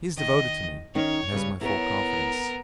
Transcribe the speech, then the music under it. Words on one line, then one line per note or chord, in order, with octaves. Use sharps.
He is devoted to me, and has my full confidence.
D#3 D#5
D#3 C#4 D#4 C#5
C#3 G3 B4
B3 E4 A4 A#4 C#5